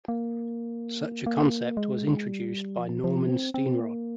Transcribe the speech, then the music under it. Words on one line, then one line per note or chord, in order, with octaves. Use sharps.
Such a concept was introduced by Norman Steenrod.
A#3
A#3
G#3
G3
F3
F3
C4
C4
A#3